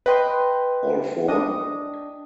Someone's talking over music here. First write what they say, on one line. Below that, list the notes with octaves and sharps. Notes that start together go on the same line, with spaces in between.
All four?
B4 D#5 G5 C6
D4 D#5 D#6